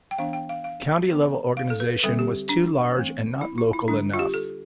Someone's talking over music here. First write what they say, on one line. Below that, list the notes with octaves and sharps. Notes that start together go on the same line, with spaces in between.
County level organization was too large and not local enough.
G5
E3 B3 D4 F5
G5
F5
F5
E3 B3 D4
F5
A4
B4
D3 G3 C4 A4
G4
D4
E3 A3 C4
E4
F4
E4
D3 G3 D4
F4
G4
A4